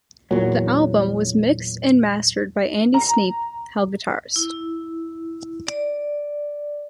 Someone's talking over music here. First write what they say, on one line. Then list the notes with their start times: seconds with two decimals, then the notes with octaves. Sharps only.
The album was mixed and mastered by Andy Sneap, Hell guitarist.
0.31 E2 A#2 F#3
2.94 A#5
4.36 E4
5.67 D5